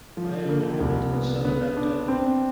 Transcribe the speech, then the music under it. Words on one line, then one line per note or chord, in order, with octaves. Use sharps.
I am Muhammad, the son of Abdullah.
F3
A#3
C2
B3
B3
D4
C4